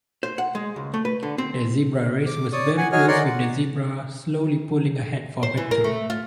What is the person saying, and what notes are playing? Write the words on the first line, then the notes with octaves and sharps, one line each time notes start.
The zebra race was very close with the zebra slowly pulling ahead for victory.
C5
F#5
G#3
C#2
A3
B4
D3
C4
D6
C#5 D5 C#6 D#6
F#5 G#5
D#4 F#4 G#4 C#5 G#5 F6
A#4 C#5 D5 F#5 C6
F#5
C5
E3
A#4
A3
F4